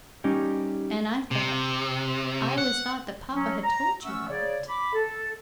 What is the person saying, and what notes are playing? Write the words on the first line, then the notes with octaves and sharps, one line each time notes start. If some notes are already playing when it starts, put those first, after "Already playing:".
'And I thought--I always thought that papa had told you about it.'
G3 C#4 D#4 G4
C3
F#5
F#3 C#4
A#5
A3 C#4 E5 F#5 C#6 E6
C#3 C#5 D5
B5 D6
A4